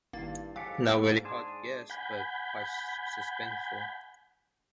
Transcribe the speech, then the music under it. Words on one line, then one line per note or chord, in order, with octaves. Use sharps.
Not very hard to guess, but quite suspenseful.
G#1 G2 A#3 D#4 E4 A6 C7
G#2 F#3 G4 A4 F5 G#5 B6 C#7
A#3
D4 G#4 C6 G#6 E7
F#5 G#5 B5 G6